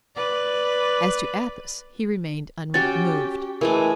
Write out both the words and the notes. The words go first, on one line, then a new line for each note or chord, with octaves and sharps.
As to Athos, he remained unmoved.
B4 D5
C#4 F#4 G4 G5 A6
E3 G#3 A3 A#4 G#5